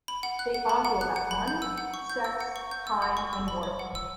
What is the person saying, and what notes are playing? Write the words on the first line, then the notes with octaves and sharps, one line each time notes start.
They argue about money, sex, time and work...
B5
F#5
F#6
F#5
B5
F#5
F#6
F#5
B5
G6
E6
F#5
C#6
G6
E6
F#5
C#6
G6
E6
F#5
C#6
E6
B5
C#5
F#5
E6